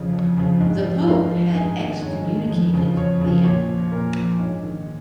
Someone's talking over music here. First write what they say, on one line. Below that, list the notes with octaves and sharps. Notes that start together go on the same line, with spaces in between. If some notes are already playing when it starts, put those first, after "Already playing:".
The pope had excommunicated the emperor.
Already playing: F2 C#3 F3 C#5
F2
C#3 F3
G#2
F3
G#2 F5 A#5
F3
G#2 D#5 G#5
D#3
G#2 C#5
D#3
F2
C#3 F3
F2 C#5
C#3 F3
A#2 C#5
F3
A#2 A#4
F3
G#2 C#5
D#3